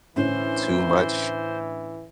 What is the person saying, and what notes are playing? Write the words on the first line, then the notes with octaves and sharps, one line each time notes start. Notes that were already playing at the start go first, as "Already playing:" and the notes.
too much.
A2 D3 E3 C#4 C5